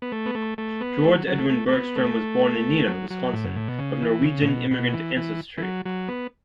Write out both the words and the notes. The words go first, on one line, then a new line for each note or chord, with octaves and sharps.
George Edwin Bergstrom was born in Neenah, Wisconsin of Norwegian immigrant ancestry.
B3
A3
B3
A3
A3
B3
A3
F#3
F#3
A3
A3
A3
B3
A3
F#3
F#3
A2
F#2
A2
B2
C#3
E3
C#3
A2
B2
B2
E3
E3
E3
F#3
F#3
B3